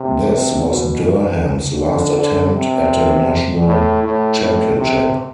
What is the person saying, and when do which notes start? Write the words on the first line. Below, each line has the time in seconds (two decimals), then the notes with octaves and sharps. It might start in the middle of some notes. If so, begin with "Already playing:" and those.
This was Durham's last attempt at a national championship.
Already playing: C3
0.29 C3
0.67 B2
1.79 D3
2.16 D3
2.54 C3
3.66 A2
4.03 A2
4.40 A2
4.77 C3